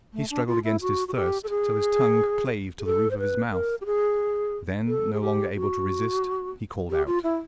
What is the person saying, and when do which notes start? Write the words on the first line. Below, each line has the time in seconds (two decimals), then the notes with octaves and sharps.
He struggled against his thirst till his tongue clave to the roof of his mouth; then, no longer able to resist, he called out.
0.13 A3
0.31 D4
0.47 F4
0.64 E4
0.81 F#4
1.08 F#4
1.14 G4
1.44 A4
1.49 G#4
2.79 G#4
2.85 A4
3.11 C5
3.19 B4
3.52 A#4
3.81 G4
3.86 G#4
4.87 A4
5.13 G#4
5.21 G4
5.55 F#4
6.90 G4
7.07 F4
7.23 E4